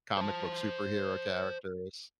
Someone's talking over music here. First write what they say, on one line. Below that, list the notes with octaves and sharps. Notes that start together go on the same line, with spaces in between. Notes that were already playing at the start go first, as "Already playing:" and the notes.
comic book superhero characters.
C5 A5